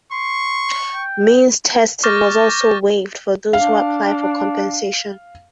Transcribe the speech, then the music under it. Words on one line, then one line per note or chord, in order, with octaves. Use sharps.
Means testing was also waived for those who apply for compensation.
C6 C#6
G5
C#6 D6 F6 G6 A6 A#6
D4 F5